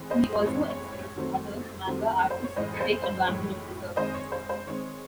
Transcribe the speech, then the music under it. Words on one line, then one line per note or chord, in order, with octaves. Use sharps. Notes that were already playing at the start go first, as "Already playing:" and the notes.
He also expects other manga artists to take advantage of the service.
Already playing: A2 E3 G#3 C4
C5 D#5
A2 E3 G#3 C4 C#5
C#5
C#5
D#3 F#3 A3 C4
D#3 F#3 A3 C4
C5
C#5
A2 E3 G#3 C5 D#5
C5
C5
A2 E3 G#3 C#5
D#3 G#3 C4 C5 D#5
C#5
C5
C5
D#3 G#3 C4 C#5